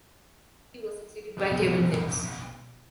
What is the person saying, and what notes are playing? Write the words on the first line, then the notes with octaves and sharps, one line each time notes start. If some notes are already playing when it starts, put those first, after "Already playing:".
He was succeeded by Kevin Knibbs.
B2